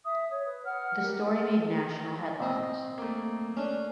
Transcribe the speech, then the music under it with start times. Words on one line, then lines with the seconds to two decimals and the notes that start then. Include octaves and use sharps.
The story made national headlines.
0.05 E5 D#6
0.31 C#5
0.46 B4
0.65 F#5 F6
1.03 G4 A#4
2.42 C4 D#5
2.98 A3 A#3
3.57 C#4 D4